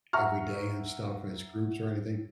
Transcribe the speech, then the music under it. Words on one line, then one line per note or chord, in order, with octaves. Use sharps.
every day and stuff as groups or anything?
E5 F#5 A#5 C#6 F6